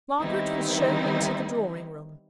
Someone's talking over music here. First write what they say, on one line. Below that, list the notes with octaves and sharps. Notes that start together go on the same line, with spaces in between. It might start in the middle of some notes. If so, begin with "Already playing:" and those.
Margaret was shown into the drawing-room.
D#3 G3 B3 C4 D#4 E4